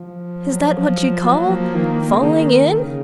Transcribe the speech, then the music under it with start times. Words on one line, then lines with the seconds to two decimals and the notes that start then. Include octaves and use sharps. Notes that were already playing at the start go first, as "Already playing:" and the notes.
"Is that what you call FALLING IN?"
Already playing: F3
0.45 F#3
1.23 F#3 A#3
1.49 F3
1.74 D#3
2.00 D#3
2.10 C#3
2.21 D#3
2.78 C#3